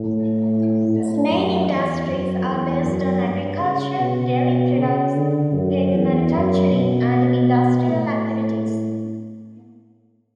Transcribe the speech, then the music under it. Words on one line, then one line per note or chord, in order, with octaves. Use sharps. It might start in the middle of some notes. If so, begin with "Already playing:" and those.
Its main industries are based on agriculture, dairy products, paper manufacturing and industrial activities.
Already playing: A2
A2
F#2
E2
F#2
E2
F#2
G2
C#3
B2
C#3
D3
F#2
E2
F#2
B2
A2